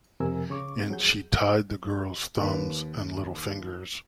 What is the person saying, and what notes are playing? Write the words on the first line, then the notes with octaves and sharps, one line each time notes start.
And she tied the girl's thumbs and little fingers.
F2 C3 A#4 G#5 E6
C#2 C#3 C#6 D6
C4
F#3 G#4 G6
D#2 B4